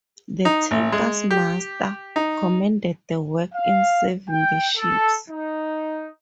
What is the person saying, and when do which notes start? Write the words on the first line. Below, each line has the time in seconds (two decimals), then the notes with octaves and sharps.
The tanker's master commended the work in saving the ship.
0.45 D#4
0.71 A1
0.92 G#3
1.31 G4
2.16 D#4
3.54 F5
4.28 G5
4.77 A4
5.28 D#4